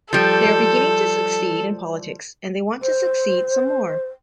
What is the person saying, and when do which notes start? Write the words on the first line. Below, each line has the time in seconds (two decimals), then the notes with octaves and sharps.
They are beginning to succeed in politics and they want to succeed some more.
0.13 F3 G3 A4
2.82 C5